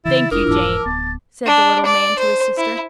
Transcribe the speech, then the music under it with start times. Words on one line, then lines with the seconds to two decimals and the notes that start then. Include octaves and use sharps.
"Thank you, Jane," said the little man to his sister.
0.05 C#3 E3 E4 A6
0.31 F1 D4 E4 F4 A#4 D#6
0.47 E1 G#2 E3 A5 D6 E6
0.86 D1 B3 A6
1.46 D4
1.86 D5
2.19 C5
2.57 E4